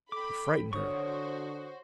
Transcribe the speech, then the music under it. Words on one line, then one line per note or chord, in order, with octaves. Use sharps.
It frightened her.
A4 G5 B5 D6
D3 F#4 C5 C#5 C#6 D#6